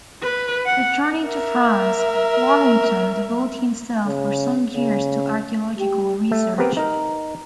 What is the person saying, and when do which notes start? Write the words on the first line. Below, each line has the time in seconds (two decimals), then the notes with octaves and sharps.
Returning to France, Waddington devoted himself for some years to archaeological research.
0.23 B4
0.66 F#5
1.25 A#4 E5
4.07 C#3
4.74 C#3
5.79 G4
6.31 A3
6.58 B3 C4 G4 A#4 B4
6.77 D#4 A#4